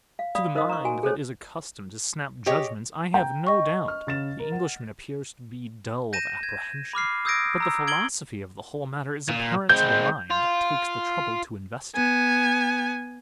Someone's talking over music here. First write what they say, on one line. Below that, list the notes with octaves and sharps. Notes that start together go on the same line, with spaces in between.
To the mind that is accustomed to snap judgments I have no doubt the Englishman appears to be dull of apprehension, but the philosophy of the whole matter is apparent to the mind that takes the trouble to investigate.
F5
D5 F5 B5 D#6
D#4 A#4 C5 D#5 F5 D#6
A#5 C#6
F#4 G#5
G#4 A4 C5 C#5
G4 G#4 C#5 D#5
G5 A#5
D#5 C#6
F6
C#3 A6 E7
A#4
F#5
G6 A#6 D#7 E7
G#6
B5 D6 F6 C7
D#6 E6 G6 G#6 A#6 D7
A#5 E6
G#6 D7 F#7 G7
A#2
G#3 C4 G6
F4
B3 G#5